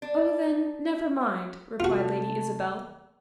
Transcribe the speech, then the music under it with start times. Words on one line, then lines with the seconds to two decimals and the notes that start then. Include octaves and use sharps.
"Oh, then, never mind," replied Lady Isabel.
0.02 D4
1.80 C3 A3 F4 F#4 A5